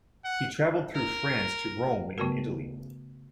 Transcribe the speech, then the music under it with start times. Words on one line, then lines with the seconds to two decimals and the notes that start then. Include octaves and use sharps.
He travelled through France to Rome in Italy.
0.25 F#5
0.94 A#4
2.18 C#3 A3 B3 F#4 A#4